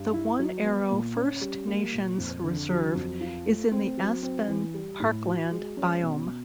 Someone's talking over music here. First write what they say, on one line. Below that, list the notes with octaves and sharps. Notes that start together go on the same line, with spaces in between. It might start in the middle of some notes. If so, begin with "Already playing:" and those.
The One Arrow First Nation's reserve is in the aspen parkland biome.
Already playing: G2
E4
F#3
B3
A#2
C#4
G3
A#3
A#2
F2
D3
F#3
F2
F4
A3
C4
F#3
C4
E3
G3
A2
F#4
G#3
C#4
B2